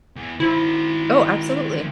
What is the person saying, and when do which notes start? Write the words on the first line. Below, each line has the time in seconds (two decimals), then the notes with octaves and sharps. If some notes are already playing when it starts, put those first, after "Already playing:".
Oh, absolutely.
0.16 E2
0.40 D#3 E4 C5